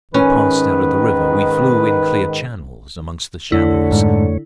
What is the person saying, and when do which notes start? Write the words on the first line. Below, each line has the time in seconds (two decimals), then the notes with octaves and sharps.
We passed out of the river; we flew in clear channels amongst the shallows.
0.14 G#2 D#3 C#4 B4
3.52 F2 D3 A3 E4 C#5
3.92 G#2